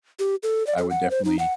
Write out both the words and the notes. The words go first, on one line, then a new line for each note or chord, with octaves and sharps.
I would, definitely,
G4
A4
D5
A4
F#5
C5
D#4
F#5